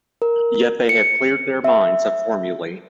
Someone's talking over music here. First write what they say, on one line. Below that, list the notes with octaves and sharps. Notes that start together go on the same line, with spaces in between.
Yet they had cleared their minds of formulae!
A#4
C#7
E5